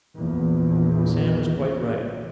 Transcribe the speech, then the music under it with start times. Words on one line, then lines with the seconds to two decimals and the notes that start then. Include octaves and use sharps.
'Sam is quite right.
0.16 A#1 E2